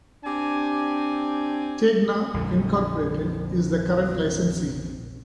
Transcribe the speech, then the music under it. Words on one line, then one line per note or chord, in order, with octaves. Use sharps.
Tegna, Incorporated is the current licensee.
C4 D4 G4 G#5
A#1 F2 D3